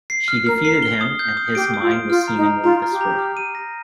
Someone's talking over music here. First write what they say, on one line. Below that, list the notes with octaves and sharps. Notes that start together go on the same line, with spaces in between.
She defeated him, and his mind was seemingly destroyed.
C7
F6
A#4 F6
A#4 C7
G7
D#6
G6
D#6
G4 D7
D#6
F4
D7
F4 F6
A#5
D#4
A#5
F4 A#5
A#5
G4
A#5
F6
D#7
A#6